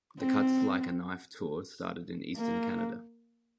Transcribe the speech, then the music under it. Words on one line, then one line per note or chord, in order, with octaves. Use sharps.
The Cuts Like a Knife tour started in eastern Canada.
C4
A#3